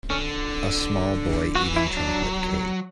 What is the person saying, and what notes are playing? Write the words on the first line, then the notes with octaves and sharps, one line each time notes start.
A small boy eating chocolate cake.
D3 C#4
E3 F#4
E4
F#3
D4